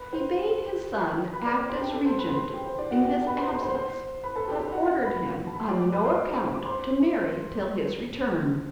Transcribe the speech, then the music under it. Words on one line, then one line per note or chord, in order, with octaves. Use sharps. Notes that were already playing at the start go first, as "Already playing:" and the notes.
He bade his son act as Regent in his absence, but ordered him on no account to marry till his return.
Already playing: B4
C5
B4 B5
D5 D6
D5 D6
C5 C6
A5
G4 G5
A4 A5
C5 C6
B4 B5
C5 C6
G4 G5
C5
D4 D5
F#4 F#5
G4 G5
B4 B5
C5 C6
C5 C6
C5 C6
C5 C6
B4 B5
A4 A5
G4 G5
G4 G5
F#4 F#5
F#4 F#5
B4 B5
A5
B5
C6
D5 D6
D5 D6
B4 B5
C5 C6
D5 D6
D6
C5 C6